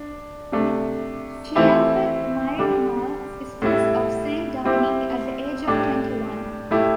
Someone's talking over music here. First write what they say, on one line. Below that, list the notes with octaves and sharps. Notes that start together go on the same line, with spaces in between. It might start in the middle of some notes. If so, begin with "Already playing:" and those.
She entered the Maryknoll Sisters of Saint Dominic at the age of twenty-one.
Already playing: D4
C3 A3 D4
E3 A3 C4 E4 G4
D3 G3 D4 G4
A2 G3 E4
G3 C4 E4 G4
A2 G3 D4 G4
A2 A3 E4 G4